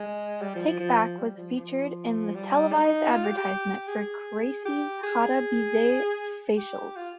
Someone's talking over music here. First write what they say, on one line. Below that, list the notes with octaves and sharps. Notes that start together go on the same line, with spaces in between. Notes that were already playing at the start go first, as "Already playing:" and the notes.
"Take Back" was featured in the televised advertisement for Kracie's Hada-bisei facials.
Already playing: G#3
G3
F3
F3
F3
G3
F3
F3
G3
D#4
F4
G4
G4
G#4
G4
G#4
G4
F4